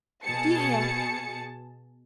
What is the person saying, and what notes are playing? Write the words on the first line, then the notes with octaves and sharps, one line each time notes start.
Do you hear?
B2 G#4 A5 C#7